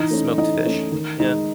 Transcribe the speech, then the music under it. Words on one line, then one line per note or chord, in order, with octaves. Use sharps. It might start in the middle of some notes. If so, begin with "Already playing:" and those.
Smoked fish. Yeah.
Already playing: E3 D#4 D#5
A3 C#4
E3 D#4 D#5
A3 C#4
D#3
G#3 D#4